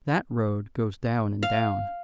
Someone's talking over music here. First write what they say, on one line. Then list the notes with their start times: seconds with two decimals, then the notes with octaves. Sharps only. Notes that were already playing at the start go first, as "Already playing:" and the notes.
That road goes down and down.
1.43 F5